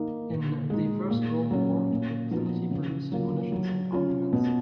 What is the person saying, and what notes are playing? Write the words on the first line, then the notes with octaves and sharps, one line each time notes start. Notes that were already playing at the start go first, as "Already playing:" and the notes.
In the First World War the facility produced munitions and armaments.
Already playing: D#3 A#3 D#4
A#2
G#3 D#4
A#2
F#3 C#4
A#2
F3 B3 D#4 F#4
C#3
F#3 A#3 F4
F#3
C#4 F4
B2